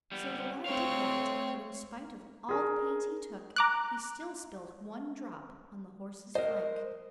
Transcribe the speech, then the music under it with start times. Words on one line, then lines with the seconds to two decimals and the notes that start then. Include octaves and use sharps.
So the lad did that; but in spite of all the pains he took, he still spilt one drop on the horse's flank.
0.12 G3 B3
0.66 A3 C4 C#5 F5
2.49 G#4 A#4
3.56 A#5 D6 F#6
6.35 A#4 C5 D#5